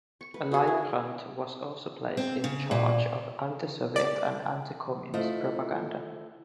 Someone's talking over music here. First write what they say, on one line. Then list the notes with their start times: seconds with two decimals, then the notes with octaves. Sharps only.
Leibbrandt was also placed in charge of anti-Soviet and anti-Communist propaganda.
0.21 C#6
0.34 B4
0.52 F#4 G#4
0.67 E4
2.17 C4
2.44 C#3
2.71 A#2
3.96 D5
5.14 A3 E4 F4 C5 D#5